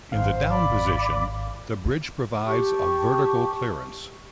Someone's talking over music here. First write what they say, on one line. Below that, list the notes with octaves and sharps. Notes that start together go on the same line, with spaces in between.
In the down position, the bridge provides of vertical clearance.
G#1 G#2 C5 F5
D5 B5 D6
G4 A5 C#6